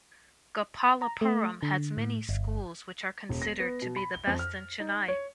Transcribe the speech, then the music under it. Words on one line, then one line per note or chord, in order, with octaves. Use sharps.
Gopalapuram has many schools which are considered to be the best in Chennai.
A#5
A3
D3
A2
G1
E1
A#6
B3
B2
B5
G7
F2
F6
D#4
C#5